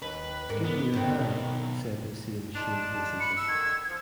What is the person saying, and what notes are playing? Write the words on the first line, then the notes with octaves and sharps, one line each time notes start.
"Give me your hand," said Hussain shamefacedly.
D#2 B4
G#2 D3 A#4
B3
D#3 C4
B2 D#4
D4 D#4 F4 A5
B5 C#7
E6
D3 D#3 G#6
F3